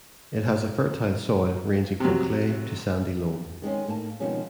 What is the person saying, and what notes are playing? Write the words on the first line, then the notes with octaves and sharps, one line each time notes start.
It has a fertile soil ranging from clay to sandy loam.
C3 F#3
D#3 G#3 C4 C#4
A2 A#3 D#4 A5
B2 D#3 F3 G#3 C4 C#4